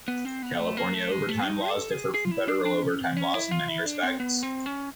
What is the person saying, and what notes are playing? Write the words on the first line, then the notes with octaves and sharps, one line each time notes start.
California overtime laws differ from federal overtime laws in many respects.
B3
C4
B3
A3
A#3
A3
G#3
A3
D#4
A4
G#4
G#4
F4
E4
D4
D4
C#4
C4
C#4
E4
F4
E4
D4
C4
B3
C4
C#4